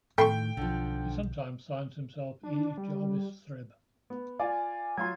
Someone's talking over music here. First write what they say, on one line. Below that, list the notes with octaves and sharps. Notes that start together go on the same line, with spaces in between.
He sometimes signs himself E Jarvis Thribb.
A2 D#3 A3 G5 C6 C#6
B1 D3 F3
D4
G3
B3
F4 D5 F5 G#5
F#3 F4 C6 G#6